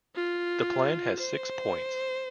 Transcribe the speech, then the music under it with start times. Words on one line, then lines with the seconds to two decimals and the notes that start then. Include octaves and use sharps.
The plan has six points.
0.15 F4
1.20 C5